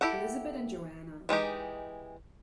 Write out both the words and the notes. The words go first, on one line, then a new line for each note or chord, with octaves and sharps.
Elisabet and Joana.
E4 G4 A4 F#5
E3 G#3 D#4 G4